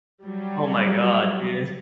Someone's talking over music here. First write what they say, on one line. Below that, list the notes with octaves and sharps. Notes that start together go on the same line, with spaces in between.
Oh my god, dude.
F#3 G3